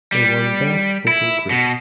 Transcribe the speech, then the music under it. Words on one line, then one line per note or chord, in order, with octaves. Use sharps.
They won Best Vocal Group.
G3
E4
B2